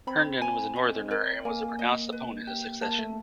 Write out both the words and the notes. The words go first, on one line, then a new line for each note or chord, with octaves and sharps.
Herndon was a northerner and was a pronounced opponent of secession.
C4 B5
G#5
D#5
A#4
A#3 G#5
D#5
B4
G4
A#3 A5
A3